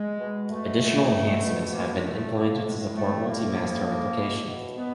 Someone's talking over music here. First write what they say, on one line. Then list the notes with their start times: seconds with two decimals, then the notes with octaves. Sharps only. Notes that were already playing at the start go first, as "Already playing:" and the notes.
Additional enhancements have been implemented to support multi-master replication.
Already playing: G#3
0.19 B2
0.50 B2 A3
0.81 B2
1.12 B2
1.42 B2
1.66 A3
1.72 F3 A#3
1.97 G#3
2.03 A2 A3
2.33 F3 A#3
2.63 A2 G#3
2.94 F3 A3
3.24 A2 A#3
3.55 F3
3.86 A2
4.16 B2
4.47 B2
4.76 B2 B3